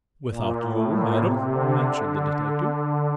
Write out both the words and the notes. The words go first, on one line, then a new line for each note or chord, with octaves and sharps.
"Without you, madam?" answered the detective.
A#2
A2
A#2
C3
D3
D3